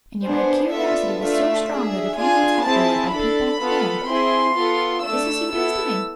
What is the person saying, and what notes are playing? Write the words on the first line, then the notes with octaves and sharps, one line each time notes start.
And yet my curiosity was so strong that a few minutes afterward I peeped back again, just to see what he was doing.
B3 D4 G#4 C5
B3 D4 F4 A4 E5
A3 D4 F4 E5
D4 G#4
D4 F4 G#4 G#5
C4 E4 G#4 A5
D4 A4 B5
B3 F4 A4
C4 E4 G#4 C6
B3 F4 A4
A3 D4 A4 E6
B3 E4 A4